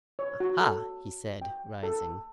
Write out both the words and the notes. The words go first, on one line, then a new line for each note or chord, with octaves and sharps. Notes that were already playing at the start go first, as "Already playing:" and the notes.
"Aha!" he said, rising.
C#5
F#4
A4
G5
A4